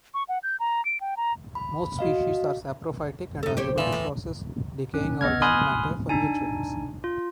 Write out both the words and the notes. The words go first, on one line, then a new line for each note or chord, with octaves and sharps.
Most species are saprophytic and are able to process decaying organic matter for nutrients.
C#6
F#5
G6
A#5
D7
G5
A#5
B5
F#4 D#5 F5
D#4 A4
G4 C5 C#5
A#2 E3 F3
A2
C#4
B3 D#5 F6 G#6
G#5 B5 C6 D#6 F6 F#6
D4 D#4 G#5
F4